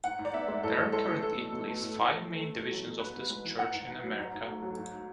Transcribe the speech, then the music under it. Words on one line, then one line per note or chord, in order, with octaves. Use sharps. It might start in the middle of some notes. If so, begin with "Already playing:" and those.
There are currently at least five main divisions of this church in America.
G#2 F#5
G#2
D5
B3 E5
G#3
A2 A4
A2
G#3 A4
E3
A3 A4
B2
B2
A3
A2
A2
A3
E3
A3
E2
F#3
B2
G#2 B4
G#2
G#3
E3
G#2 F#5
G#2
B3
F#3
G#2
G#2
A3
F#3
G#2